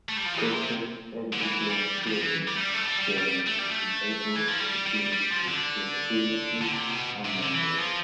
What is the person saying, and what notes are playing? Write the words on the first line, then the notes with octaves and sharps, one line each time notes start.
Coastal and inland sledging journeys enabled the teams to explore previously unknown lands.
A3
G3
F3
E3
C3
D3
E3
G3
F3
E3
G3
A3
G3
A3
F3
G3
G3
G3
A3
G3
A3
E3
F3
G3
G3
G3
F3
D3
D3
C3
B2
C3
D3
E3
F3